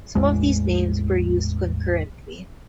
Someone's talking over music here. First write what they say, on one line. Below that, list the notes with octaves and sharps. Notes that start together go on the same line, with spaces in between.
Some of these names were used concurrently.
A1 E2 G#3